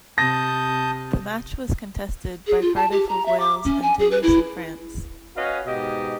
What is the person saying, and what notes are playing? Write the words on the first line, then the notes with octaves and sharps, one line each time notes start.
The match was contested by Cardiff of Wales and Toulouse of France.
C3 A5 D#6 G6 A#6
G#4
F4
A5
G4
A#5
E5
D6
C#4
G#5
G#4
B4
E4
C#4 F#4 B4 D#5 F5
G#2 B2 G4 D#5